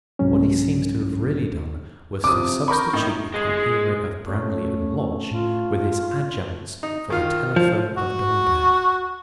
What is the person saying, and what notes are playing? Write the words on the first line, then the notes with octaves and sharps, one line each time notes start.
What he seems to have really done was to substitute the coherer of Branly and Lodge, with its adjuncts, for the telephone of Dolbear.
C2 G#2 F#3 C#4
C3 F3 D6 D#6
A#4 B5 C#6 G6
A2 D#4
G#3
A3 C#4
A2 F4
D#4
D#3 F4 F6
F3
F#4